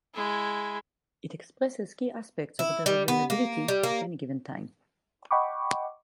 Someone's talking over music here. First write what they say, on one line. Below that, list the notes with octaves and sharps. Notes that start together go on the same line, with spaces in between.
It expresses key aspects of their availability at any given time.
G#3 E4
E4
G3
B3
A#3
G3
A#3
D#5 F#5 G5 B5 C#6 D6